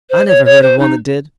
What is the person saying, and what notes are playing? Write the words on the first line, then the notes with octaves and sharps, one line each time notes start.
"I never heard of one that did."
C5
C#5
C#5
C5
D#4